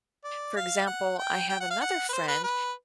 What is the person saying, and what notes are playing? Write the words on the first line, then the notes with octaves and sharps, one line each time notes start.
For example, I have another friend
D5
F5
F#5
G5
G5
F#5
F5
F#5
B4
C5
B4
B4